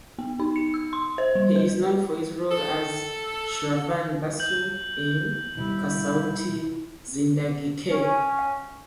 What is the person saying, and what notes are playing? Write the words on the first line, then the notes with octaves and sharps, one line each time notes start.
He is known for his role as Shravan Basu in "Kasautii Zindagii Kay".
B3
D#4
C#7
E6
C6
C5
G3
B4
A4
G6 F#7
D#2 B2 G3 E4
C#4